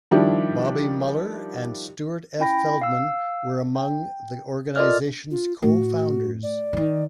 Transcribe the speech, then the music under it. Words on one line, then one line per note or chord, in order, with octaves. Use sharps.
Bobby Muller and Stuart F. Feldman were among the organization's co-founders.
D#3 F3 G3 D4 E4 G4
C#4 E4 G5 B5 A#6
F5 E6
G5
F4 A4 A#4 D5 D#5 F6
F4
A2 F#4
D5
D#3 E3